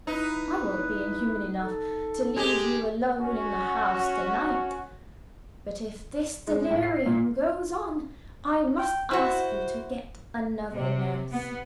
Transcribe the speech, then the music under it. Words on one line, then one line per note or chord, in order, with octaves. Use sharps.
I won't be inhuman enough to leave you alone in the house to-night; but if this delirium goes on, I must ask you to get another nurse.
D#4 E4 B4
A4
G#3 G4
C#4 F#4
G#3
A2
C7
A#2
G5
E4 F#4 C5
C3
B3